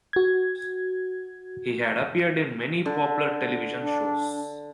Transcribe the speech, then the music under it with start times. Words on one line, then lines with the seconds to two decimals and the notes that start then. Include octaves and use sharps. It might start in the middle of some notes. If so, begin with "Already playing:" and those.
He had appeared in many popular television shows.
0.13 F#4 G#6
2.86 D3
3.80 D4